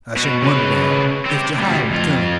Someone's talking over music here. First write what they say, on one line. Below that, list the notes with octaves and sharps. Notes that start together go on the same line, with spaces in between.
I shouldn't wonder, now, if Jehiel would come.
B2 F#4
C#3 B4
C4 G4
D2 G3
F2 F4